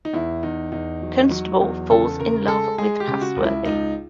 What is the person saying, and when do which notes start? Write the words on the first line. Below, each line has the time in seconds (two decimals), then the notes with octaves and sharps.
Constable falls in love with Passworthy.
0.05 D#4
0.13 E2 E4
0.43 E2 D#4
0.72 E2 D#4
1.02 F#3
1.31 F#3
1.61 E2
1.90 C#3 A4
2.19 C#3 A#4
2.48 G#3 A4
2.78 G#3 G#4
3.00 G4
3.07 C#3
3.21 F#4
3.36 C#2
3.44 E4
3.65 C#2 D#4